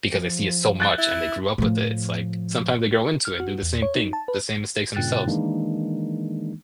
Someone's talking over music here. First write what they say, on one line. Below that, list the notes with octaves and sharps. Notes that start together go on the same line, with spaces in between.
because they see it so much and they grew up with it, it's like sometimes they grow into it and do the same thing, the same mistakes themselves.
F3
F#6 A6 G7
E4
A2 F3
F6
F#4
E2
C#5
D#4
A5
B4
G2 A#2 C#3 G5 F#6 A6
D#3 E3 G#3 A#3 D4 D#4